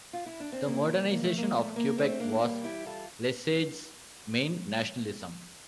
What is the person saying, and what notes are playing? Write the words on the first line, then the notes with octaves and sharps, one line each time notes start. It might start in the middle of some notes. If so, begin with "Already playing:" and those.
The modernization of Quebec was Lesage's main nationalism.
F4
E4
D4
C4
F2 C3 E3 A#3
A#3
A3
A#3
A3
A#3
A3 C4
A#3 D4
G2 E3 G3 A#3
E4 G4
F4 A4